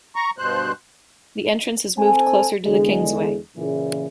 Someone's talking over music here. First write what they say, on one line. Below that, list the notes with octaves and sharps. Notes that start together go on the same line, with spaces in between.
The entrance has moved closer to the Kingsway.
A#5 C#6
G2 B2 C5 F#6
C4 A4 C5 G#5
E2 D3 G#3
A#2 C#3 E3